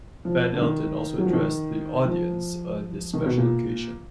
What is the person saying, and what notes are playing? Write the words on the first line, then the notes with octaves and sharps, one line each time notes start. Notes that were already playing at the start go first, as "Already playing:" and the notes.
Ben Elton also addressed the audience on this special occasion.
F3
D3
D#3
F#3
F3
D#3
F3
D#3
B2
A#2